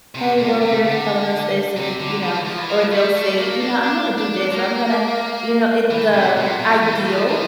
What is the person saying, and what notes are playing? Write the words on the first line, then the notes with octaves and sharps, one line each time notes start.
"Hey, well, they're telling us this," and, you know, or they'll say, you know, "I'm gonna do this or I'm gonna," you know, it the ideal
C3
A#2
C3
D3
C3
D3
E3
F3
E3
F3
A3
A3
A#3
D4
D4
D4
A#3
E3
C3
A#2
A#2
E3
F3
E3